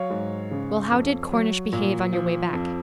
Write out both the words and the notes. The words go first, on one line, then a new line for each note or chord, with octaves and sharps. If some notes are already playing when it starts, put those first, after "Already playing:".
'Well, how did Cornish behave on your way back?'
Already playing: F#3 C#5 F5
G#2
C#3
F2
F#3
A#2
F3
F2